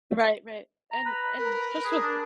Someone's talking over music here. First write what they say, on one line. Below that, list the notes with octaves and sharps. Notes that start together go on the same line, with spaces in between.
Right right, and and just with
A#5
B4
A#4 B4
G#4
D4